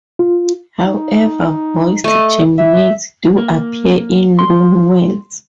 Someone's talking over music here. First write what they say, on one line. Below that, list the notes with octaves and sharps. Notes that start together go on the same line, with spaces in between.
However, voiced geminates do appear in loanwords.
F4
D#4
A3 D#5
E5
A#3
C6